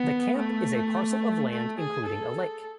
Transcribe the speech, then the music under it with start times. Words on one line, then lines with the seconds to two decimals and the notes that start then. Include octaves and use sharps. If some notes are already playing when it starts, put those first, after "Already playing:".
The camp is a parcel of land including a lake.
Already playing: B3
0.36 A3
1.50 A3
1.78 G#4
2.06 A4